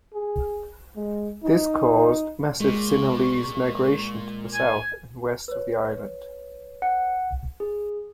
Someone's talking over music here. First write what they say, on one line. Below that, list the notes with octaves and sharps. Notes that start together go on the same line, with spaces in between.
This caused massive Sinhalese migration to the south and west of the island.
G#4
G#3
D#4
A#2 G#3 C#6
G#5
B4 C#5
F#5
G#4